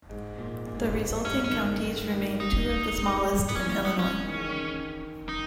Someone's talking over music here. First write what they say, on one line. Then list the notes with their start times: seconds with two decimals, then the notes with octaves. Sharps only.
The resulting counties remain two of the smallest in Illinois.
0.10 G#2
0.38 A#2
0.67 A#2
0.74 G#2
0.83 G2
0.91 G#2
1.25 G2 C#4
1.44 D#3 C#4
1.54 C#3
1.82 D#3
2.11 D#3
2.40 G3 D#4
2.69 A#3
2.98 G#3
3.27 G3
3.49 B3
3.55 E3 C#4
3.69 C#4
3.85 E3 B3
3.99 C#4
4.13 E3
4.24 D#3
4.34 C#3
4.44 D#3
5.28 D#3 D#4